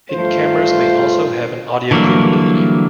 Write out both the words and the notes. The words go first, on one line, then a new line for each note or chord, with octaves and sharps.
Hidden cameras may also have an audio capability.
G2 A3 F4 C5
D3 E3 F#3 G3 A#3